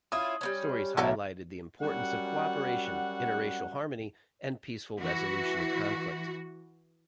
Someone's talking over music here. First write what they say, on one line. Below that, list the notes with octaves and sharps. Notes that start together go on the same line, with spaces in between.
Stories highlighted the importance of cooperation, inter-racial harmony, and peaceful resolution of conflict.
C#4 E4 F4 D#6
G3 B3 C#4
B1 F#3 B3 E4 A4
F#2 G3 F#4 F#5
E3 F#4